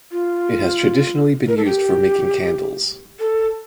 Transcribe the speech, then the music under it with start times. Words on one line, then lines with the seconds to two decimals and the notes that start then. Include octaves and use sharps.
It has traditionally been used for making candles.
0.12 F4
1.48 A#4
1.57 A4
1.65 G4
3.20 A4